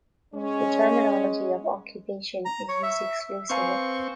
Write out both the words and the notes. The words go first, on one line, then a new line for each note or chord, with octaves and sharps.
The terminology of "occupation" is used exclusively.
G#3 C#4
A#5
C#5
E5
C4 B4 F5 G#5 C#6